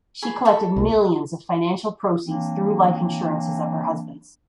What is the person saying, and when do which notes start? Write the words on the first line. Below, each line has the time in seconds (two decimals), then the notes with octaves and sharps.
She collected millions of financial proceeds through life insurances of her husbands.
0.22 G#4 B5 C#6
0.45 A4 B5 C#6
0.76 C2 A#2
2.24 E3 F#3 A#3 C4 D4